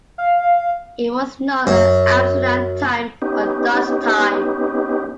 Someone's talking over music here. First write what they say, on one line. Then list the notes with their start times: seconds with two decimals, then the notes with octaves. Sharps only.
It was known as Amsterdam Time or Dutch Time.
0.18 F5
1.67 F#2
3.22 B3 C#4 D#4 G4